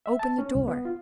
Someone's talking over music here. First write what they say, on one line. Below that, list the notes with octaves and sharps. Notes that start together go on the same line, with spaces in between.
Open the door.
E5
A5
C#4
C2
B3
F4